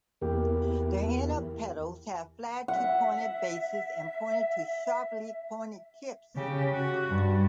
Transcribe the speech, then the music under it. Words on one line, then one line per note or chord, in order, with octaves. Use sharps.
The inner petals have flat to pointed bases and pointed to sharply pointed tips.
E2 A#3 G4
E5 F#5
C#3 G4
F#4
G2